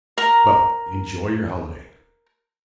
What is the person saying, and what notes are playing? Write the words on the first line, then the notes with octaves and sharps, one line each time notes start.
Well! enjoy your holiday.
A#4 A#5